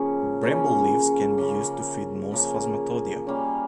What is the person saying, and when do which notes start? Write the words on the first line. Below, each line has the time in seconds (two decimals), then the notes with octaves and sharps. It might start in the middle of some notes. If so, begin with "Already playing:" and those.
Bramble leaves can be used to feed most Phasmatodea.
Already playing: C#3 F3 A#3 C#4
0.43 C#3 F3 A#3 C#4
1.38 C#3 F3 A#3 C#4
2.32 C#3 F3 A#3 C#4
3.27 G3 A#3 C#4